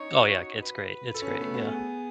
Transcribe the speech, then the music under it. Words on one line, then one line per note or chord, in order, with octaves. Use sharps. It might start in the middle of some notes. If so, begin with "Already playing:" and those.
Oh, yeah, it's great, it's great, yeah.
Already playing: C#4 D#4 C#5
F#4
B4
A4
C#4
B3
A3
B3
F#4
G#4